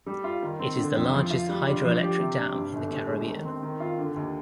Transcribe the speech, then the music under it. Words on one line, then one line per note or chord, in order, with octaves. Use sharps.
It is the largest hydroelectric dam in the Caribbean.
G3
F4
D#3
C4
D3
F2
F3
F4
G3
D4
F3
G4
C3
D4
G2
G1
G2
G#3
D#3
C4
D#3
F4
D3
D#2